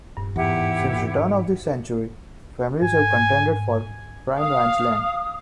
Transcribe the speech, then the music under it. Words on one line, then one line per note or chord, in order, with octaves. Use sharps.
Since the turn of the century, families have contended for prime ranch land.
D#1 G2
E2 G#2 E4 G4 F#5
G#2 G#5
F5 D#6